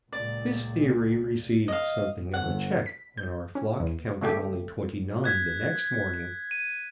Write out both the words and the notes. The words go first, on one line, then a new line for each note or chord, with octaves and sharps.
This theory received something of a check when our flock counted only twenty-nine the next morning.
C#2 A#2 D5
D#5 F5
G1 F#5
B6
G6
C#4
E2
C#3 A3 G4
F#6 G#6 B6
D#7